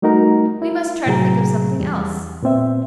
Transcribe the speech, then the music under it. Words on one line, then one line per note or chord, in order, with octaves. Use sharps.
"We must try to think of something else."
G3 A3 D#4 F#4 A#4 A#5
E4
A2 C3 F#3 G#4 A#5
E2 G3
A#2 B3 C4 E5